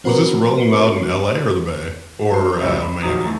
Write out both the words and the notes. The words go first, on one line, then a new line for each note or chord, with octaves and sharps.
Was this Rolling Loud in LA, or the Bay? Or, uh, Miami?
F3 C4 F#4 A#4 B4
F#3 C5 C7
C#2 F#2 A2 G3 C#5 E5
B5
A#1 F2 F#3 D#4 A#5 D#6
E2 A3 D#4